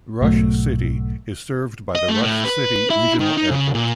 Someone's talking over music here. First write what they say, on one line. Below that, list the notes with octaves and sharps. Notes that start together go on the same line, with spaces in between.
Rush City is served by the Rush City Regional Airport.
B1 G#2 B2 F#3 A3
D#5
A3
A2
B4
E4
D#3
D#4
C#3
A#2